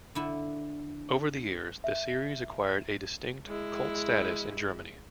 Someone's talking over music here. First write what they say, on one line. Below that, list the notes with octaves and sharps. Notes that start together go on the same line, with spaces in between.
Over the years, the series acquired a distinct cult status in Germany.
D3 E4
E5
G#3 E4